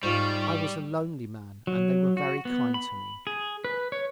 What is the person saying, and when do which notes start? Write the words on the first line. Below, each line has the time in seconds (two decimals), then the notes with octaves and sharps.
I was a lonely man, and they were very kind to me.
0.03 G#2 G3 F4 C#6
1.67 F#3
2.17 F#4
2.45 B3
2.74 B5
3.27 G#4
3.65 B4
3.92 C#5